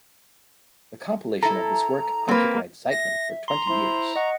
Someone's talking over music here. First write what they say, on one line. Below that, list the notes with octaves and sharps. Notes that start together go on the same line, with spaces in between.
The compilation of this work occupied Zeitlin for twenty years.
E4 A4 A#5
A#3 C4 B4
E5 A#6
A#5 C6
E4 C5 C6
D#5 F#5 C#6